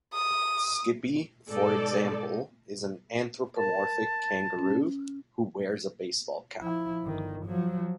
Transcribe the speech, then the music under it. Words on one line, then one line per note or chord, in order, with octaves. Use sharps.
Skippy, for example, is an anthropomorphic kangaroo who wears a baseball cap.
D#6
G#2 B2 D#4 A4 D5
A#4 A5
C#4
F3 E4
G1 D#3
F3 F#3